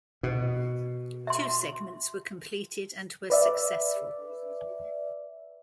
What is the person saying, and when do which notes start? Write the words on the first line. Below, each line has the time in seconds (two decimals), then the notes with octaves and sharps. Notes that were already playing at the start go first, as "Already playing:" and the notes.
Two segments were completed and were successful.
0.23 B2
1.27 E5 C6
3.30 B4 D5 E5